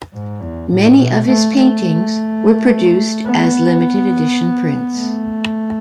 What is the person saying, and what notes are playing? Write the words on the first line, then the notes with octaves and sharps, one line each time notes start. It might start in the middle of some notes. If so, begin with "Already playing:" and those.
Many of his paintings were produced as limited-edition prints.
G#2
E2
A2
B2
A3
A3
B3
A3